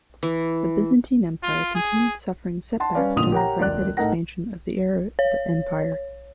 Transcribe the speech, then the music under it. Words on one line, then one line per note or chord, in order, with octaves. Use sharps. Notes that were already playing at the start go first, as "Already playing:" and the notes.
The Byzantine Empire continued suffering setbacks during the rapid expansion of the Arab Empire.
E3
F4
G#4
F#5 A5 C6
G3 C#4 B4 D5 F5
A1 A#2 D3 D#6 F7
G4 A#4 C#5 F#5 G5 A#5
E1 C#2 D5 F#6
A2 A3 D#4 A#4 F#5 A#6
C#5